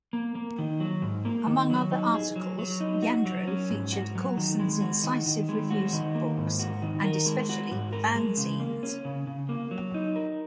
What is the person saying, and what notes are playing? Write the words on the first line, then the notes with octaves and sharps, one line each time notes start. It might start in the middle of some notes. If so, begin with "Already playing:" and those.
Among other articles, Yandro featured Coulson's incisive reviews of books and, especially, fanzines.
A#3
A#3
D#3
F#3
G#2
A#3
D#3
F#3
D#4
G#4
F#3
F#3
D#4
F#4
F#3
C#4
G#2
F#4
F#3
D#3
G#3
F#4
D#3
D#3
G#3
F#4
D#3
A#3
G#2
F#4
D#3
A#4
G#3
F#4
G#2
A#4
G#3
C#3
A#3
C#4
C#3
C#3
A#3
F#3
D#4
A#4